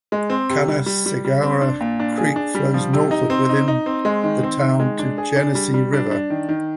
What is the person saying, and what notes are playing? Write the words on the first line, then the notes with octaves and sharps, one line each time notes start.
Canaseraga Creek flows northward within the town to the Genesee River.
G#3
C4
C3
G3
G3
G3
G3
C4
D4
A#2
D4
G#4
D4
G3
F3
C3
D#4
C4
D#4
D#4
C4
G#3
D#3
C4
D#3
G#3
D4
G#4
D4
G3
G3
D4
D4
D#3
D#3